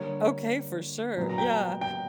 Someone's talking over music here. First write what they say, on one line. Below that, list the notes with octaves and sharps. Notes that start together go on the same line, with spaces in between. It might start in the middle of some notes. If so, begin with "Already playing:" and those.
Okay, for sure, yeah.
Already playing: D3 G3 A#3 C#5
A#2 F#3 B3
A#5
G5
G5